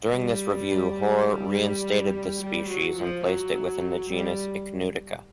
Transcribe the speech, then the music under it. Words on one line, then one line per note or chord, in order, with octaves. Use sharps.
During this review Hoare reinstated this species and placed it within the genus "Ichneutica".
G3
G3
G3
F#3
F3
F#3
G3